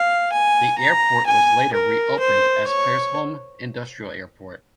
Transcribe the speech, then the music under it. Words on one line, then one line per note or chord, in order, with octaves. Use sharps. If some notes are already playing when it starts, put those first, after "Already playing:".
The airport was later reopened as Claresholm Industrial Airport.
Already playing: F5
G#5
A#5
G#5
A#4
C5
C#5